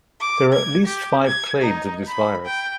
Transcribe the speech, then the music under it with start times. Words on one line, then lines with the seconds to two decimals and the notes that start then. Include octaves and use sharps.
There are at least five clades of this virus.
0.20 D6
0.52 G#6
0.85 G4
1.26 G#6
1.61 D#4
2.08 B5
2.46 G5